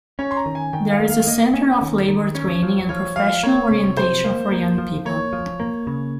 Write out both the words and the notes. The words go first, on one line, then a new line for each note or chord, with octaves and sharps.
There is a center of labor training and professional orientation for young people.
C#4 C#5
C6
A#5
D#3
G#5
D#3 G5
F5
A#3
F5
A#3 D#5
C#4
D#3
D#3
C#4 C#5
F3
F3 C#5
F3 F5
A#3 C#5
C3
C3 C5
A#3
A#3
F3
A#3 C#5
F3
A#3
C#3